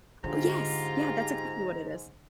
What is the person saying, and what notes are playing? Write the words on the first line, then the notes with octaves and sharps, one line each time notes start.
Oh, yes! Yeah, that's exactly what it is.
G#2 D3 F4 G4 A#5